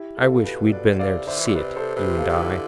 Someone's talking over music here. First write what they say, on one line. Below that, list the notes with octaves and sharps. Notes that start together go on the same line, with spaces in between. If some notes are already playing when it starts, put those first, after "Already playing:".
I wish we had been there to see it, you and I.
Already playing: E4 G4
C3 F4 A4
B2
G4 B4
C3
B2 B4 D5
B2
C3 D5 F5
D3 C5 E5
E3
D3
C3 B4 D5
A4 C5
C3 G4 B4
F4 A4
C3
D3 E4 G4